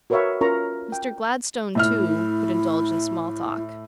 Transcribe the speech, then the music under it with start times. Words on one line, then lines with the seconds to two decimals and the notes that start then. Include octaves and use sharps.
Mr. Gladstone, too, could indulge in small talk.
0.10 F#4 A#4 B4 C#5 E5 F5
0.41 C#4 F4 A#4 B4 A#5 C#6
0.92 G5
1.75 A2 E4 E5 F6